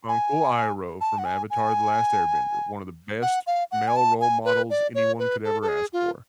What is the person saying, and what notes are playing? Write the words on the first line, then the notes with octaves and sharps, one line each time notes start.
Uncle Iroh from Avatar: The Last Airbender, one of the best male role models anyone could ever ask for,
G#5
A5
F#5
G#5
G#5
F#5
F5
F#5
G#5
A5
G#5
B4
D5
C#5
B4
A4
A4
G#4
F4